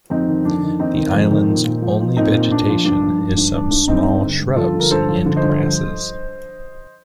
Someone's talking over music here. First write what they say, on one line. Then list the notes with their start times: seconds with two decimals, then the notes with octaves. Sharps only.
The island's only vegetation is some small shrubs and grasses.
0.10 F2 C4 D#4
0.28 D#3
0.45 F2 D4
0.63 D#3
0.79 D#3 C4 D#4
0.96 D#3
1.13 F2
1.31 D#3
1.49 A#2
1.65 A#2
1.82 F3
2.00 F3
2.17 A#2 C4 D#4
2.34 A#2
2.51 A#2 D4
2.68 F3
2.85 G2 D4
3.03 F3
3.19 G2
3.37 G2
3.54 G2 D4
3.71 G2
3.88 G2 C4 D#4
4.05 G2
4.23 D3
4.40 G2
4.56 F3 F4 A4
4.74 D3
4.80 A#4
4.91 G2 A4 C5
5.08 F3
5.26 D3
5.36 C5 D#5
5.42 G2
5.60 F3